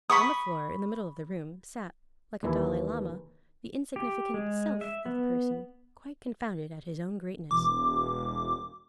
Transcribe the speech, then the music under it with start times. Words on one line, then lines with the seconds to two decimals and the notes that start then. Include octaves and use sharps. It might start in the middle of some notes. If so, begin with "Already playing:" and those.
On the floor, in the middle of the room, sat, like a Dalai-Lama, the insignificant "Self" of the person, quite confounded at his own greatness.
0.10 B5 C#6 D#6
2.43 D#2 E3 E4
3.96 G4
4.34 G#3
4.81 E5
5.06 B3
7.51 E1 D6